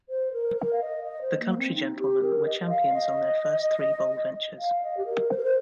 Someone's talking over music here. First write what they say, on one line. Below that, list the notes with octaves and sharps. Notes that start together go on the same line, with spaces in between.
The Country Gentlemen were champions on their first three bowl ventures.
C5
A#4
A#4
F5
D#5
D#5
C5
A#3
C4
D#4
G4
A#4
D#5
F5
D#5
F5
D#5
G4
A#4
C5
A#4
C5